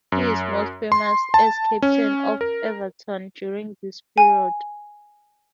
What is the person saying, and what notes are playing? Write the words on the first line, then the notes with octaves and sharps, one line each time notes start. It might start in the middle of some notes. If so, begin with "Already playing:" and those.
He is most famous as captain of Everton during this period.
F#2
C6
A5
C#4
A#4
G#5